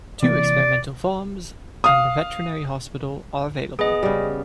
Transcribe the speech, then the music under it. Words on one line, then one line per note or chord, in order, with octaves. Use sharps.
Two experimental farms and the Veterinary Hospital are available.
C3 E3 A#3 D5
F5 D#6
B3 G#4 D#5
C#3 G3